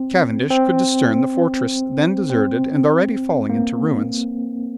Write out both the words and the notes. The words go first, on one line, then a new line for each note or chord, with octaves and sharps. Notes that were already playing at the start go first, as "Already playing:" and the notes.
Cavendish could discern the fortress, then deserted and already falling into ruins.
Already playing: C4
C4
C4
A#3